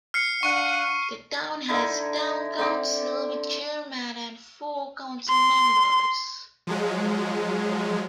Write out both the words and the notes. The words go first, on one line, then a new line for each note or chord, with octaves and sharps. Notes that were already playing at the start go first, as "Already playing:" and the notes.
The town has a town council with a chairman and four councilmembers.
F6 C7 C#7
D4 F5 F#5 C#6 D#7
D3 D#4 E4
D3 C4 D6
C6
F3 F#3 G#3